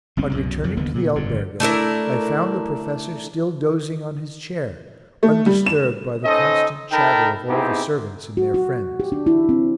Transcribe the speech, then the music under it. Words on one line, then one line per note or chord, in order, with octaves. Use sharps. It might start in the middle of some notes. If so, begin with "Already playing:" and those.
On returning to the albergo I found the professor still dozing on his chair, undisturbed by the constant chatter of all the servants and their friends.
F#1 C2 C4 C#4
C2 F#2 B2
F2 C#3 F#3
F#1 D#2 D3 B3
A#2 C#3 B3
G1 F2 C#3
A3 D4 E4 A#4
A3
G3
E7
C#4 D#4 A4 C5 D#5
D#4 A4 A#4 G5 A5 B5
B3 C4 D#4 E4 G4 G#4
F#4
F#4
G4
D4
E4
C4